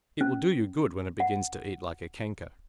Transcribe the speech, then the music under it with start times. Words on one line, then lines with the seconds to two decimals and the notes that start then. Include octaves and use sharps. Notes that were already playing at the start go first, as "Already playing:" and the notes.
It will do you good when it begins to eat like a canker!
0.21 C#4
1.20 F#5